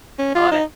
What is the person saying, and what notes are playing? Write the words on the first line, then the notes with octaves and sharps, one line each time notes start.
I love it.
C#4
F4
D#4